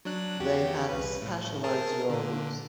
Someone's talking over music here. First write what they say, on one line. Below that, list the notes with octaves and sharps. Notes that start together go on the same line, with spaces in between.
They have specialized roles.
F#3 D4 F#6
E2 F#4 G4
C2 B4
A2
G#4 A#4 A5
A#2 D3